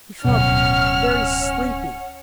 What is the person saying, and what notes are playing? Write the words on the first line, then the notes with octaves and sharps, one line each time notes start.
He felt very sleepy.
D1 B2 C#4 F#5 F6